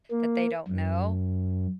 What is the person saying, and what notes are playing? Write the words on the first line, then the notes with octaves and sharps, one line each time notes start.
that they don't know,
A#3
F#2